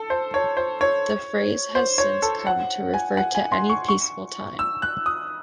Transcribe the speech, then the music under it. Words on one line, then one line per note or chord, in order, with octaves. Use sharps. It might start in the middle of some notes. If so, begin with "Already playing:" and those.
The phrase has since come to refer to any peaceful time.
Already playing: A4
C5
C#5
C5
C#5
C5
C#5
A4
F#5
G#5
F#5
G#5
C6
C#6
C#6
E6
F#6
D#6